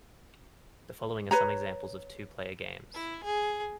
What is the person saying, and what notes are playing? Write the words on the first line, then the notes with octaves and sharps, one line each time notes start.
The following are some examples of two-player games.
B4 C#5 A#5
E4
G#4